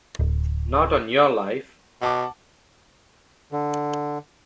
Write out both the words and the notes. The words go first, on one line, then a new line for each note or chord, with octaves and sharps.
Not on your life!
D1
B2 F#5 A5 D6
D3